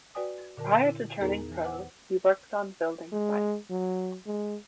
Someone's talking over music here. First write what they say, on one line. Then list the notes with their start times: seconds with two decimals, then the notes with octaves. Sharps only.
Prior to turning pro he worked on building sites.
0.15 F#4 B4 D5 G5 G#5 D#6
0.57 A#2 D3 A#4 A5
0.85 E4
1.20 E2 B3 D#4 G#4 A#4 A#5
1.49 E3
1.64 B4 C5 F#5 D6
3.12 G#3
3.70 F#3
4.26 G#3